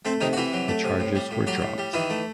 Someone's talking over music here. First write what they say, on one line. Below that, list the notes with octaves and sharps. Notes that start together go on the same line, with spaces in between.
The charges were dropped.
A3 C4
C3 D#3 D#4
F#4
C3 E3 E4
F#3
A3
C3
A2
G3
A2
F#3 G3 F#4
A2
G3
D#3 E3 E4
A3